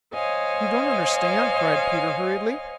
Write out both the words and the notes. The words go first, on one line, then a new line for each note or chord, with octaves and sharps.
"You don't understand," cried Peter hurriedly.
C5 C#5 D#5 F5 G#5